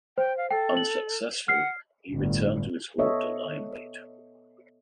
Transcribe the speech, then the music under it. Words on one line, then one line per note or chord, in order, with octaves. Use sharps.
Unsuccessful, he returned to his hoard to lie in wait.
C5 G5
F5
A4 G5
F#7
F#5 F6 C7
G1 A2
B3 A4 C#5 D#5 E5